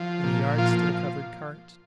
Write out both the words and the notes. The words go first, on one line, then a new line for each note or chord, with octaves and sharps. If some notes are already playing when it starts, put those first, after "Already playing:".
In the yard stood a covered cart.
Already playing: F3
A#2
F3 F4